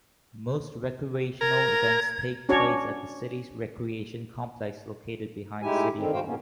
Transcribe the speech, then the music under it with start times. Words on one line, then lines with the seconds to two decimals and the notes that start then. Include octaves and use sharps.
Most recreational events take place at the city's recreation complex located behind City Hall.
1.41 A#4 G#6
2.49 C#4 D4 F#4 C#5 D5
5.62 A2 G#3 D#4 E4 G4 G#5
5.97 D3 D#3 C4
6.12 C#3 F#4 C5 F5 G5
6.25 A#2 C#3 A#3 B3 C#4